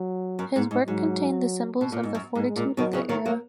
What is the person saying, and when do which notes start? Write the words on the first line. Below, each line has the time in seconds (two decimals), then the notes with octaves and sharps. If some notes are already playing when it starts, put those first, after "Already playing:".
His work contained the symbols of the fortitude of the era.
Already playing: F#3
0.39 F#2
0.56 G#2
0.71 G#2
0.87 G#2 F#3
1.81 B2
1.92 A#2
2.03 G#2
2.15 F#2
2.35 G#2
2.46 G#3
2.56 A#2
2.77 B2 D#3 F#3
2.93 C#3 E3
3.09 D#3 F#3
3.25 F#3 A#3